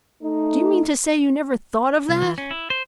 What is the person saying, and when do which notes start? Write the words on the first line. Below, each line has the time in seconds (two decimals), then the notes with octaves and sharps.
Do you mean to say you never thought of that?
0.22 A3 D#4
2.09 C2
2.22 E3
2.38 C#4
2.51 E4
2.70 C5